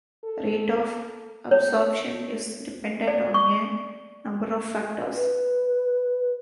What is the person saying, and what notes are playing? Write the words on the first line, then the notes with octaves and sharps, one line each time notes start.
Rate of absorption is dependent on a number of factors.
A4
C#5
D5
C#6
B4